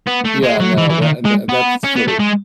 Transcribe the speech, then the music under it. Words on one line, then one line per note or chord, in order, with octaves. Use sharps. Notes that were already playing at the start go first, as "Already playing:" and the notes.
Yeah, no, tha and tha that's sort of
B3
A3
G#3
F#3
E3
E3
D#3
G#3
B3
C#4
B3
A3
G#3